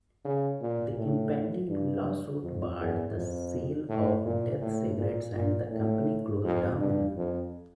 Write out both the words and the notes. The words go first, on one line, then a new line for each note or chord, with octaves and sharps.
The impending lawsuit barred the sale of Death cigarettes and the company closed down.
C#3
A#2
A2
G2
F2
E2
F2
A2
A#2
A2
A#2
A#2
A2
F2
G2
F2